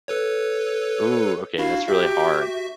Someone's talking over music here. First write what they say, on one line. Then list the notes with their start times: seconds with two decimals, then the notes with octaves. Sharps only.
Ooh, okay, that's really hard.
0.08 A4 B4 C#5
1.58 D4 E4 F#4 F5
1.88 F#4 G4 E5